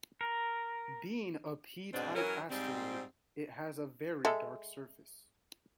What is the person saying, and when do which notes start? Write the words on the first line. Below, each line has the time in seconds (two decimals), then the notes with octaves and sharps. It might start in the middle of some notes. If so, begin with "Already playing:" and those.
Being a P-type asteroid, it has a very dark surface.
0.21 A#4
1.93 D2 G#2 B2 C4 D4
2.14 E3 F#3 C#4 A#4
2.50 G#2 G3 C4
4.25 G#3 A4 E5